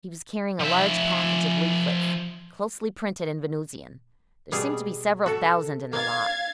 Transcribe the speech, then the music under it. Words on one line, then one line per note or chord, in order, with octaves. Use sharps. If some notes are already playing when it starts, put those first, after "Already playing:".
He was carrying a large package of leaflets, closely printed in Venusian; there seemed to be several thousand in the lot.
F3 E5
B2 G3 G#4
F#4 A4
A#3 F5 G#6 A6